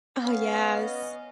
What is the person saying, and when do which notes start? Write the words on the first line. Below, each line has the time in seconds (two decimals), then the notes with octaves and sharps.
Oh, yes.
0.23 B3 C#4 F5
0.80 D#5